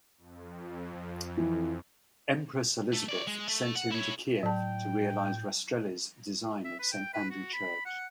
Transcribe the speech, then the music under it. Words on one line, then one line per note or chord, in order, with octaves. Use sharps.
Empress Elizabeth sent him to Kiev to realize Rastrelli's design of Saint Andrew Church.
F2
E3
A3
C#5 D5
G#3
A3
F#5
E4 C#5
A2 F#3 G5 A5
E5
B4
G5
B4
F#4
B5
F#5